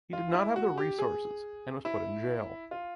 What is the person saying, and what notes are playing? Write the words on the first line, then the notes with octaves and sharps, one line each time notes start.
He did not have the resources and was put in jail.
F4
E4
F#4
G4
G#4
E4
F4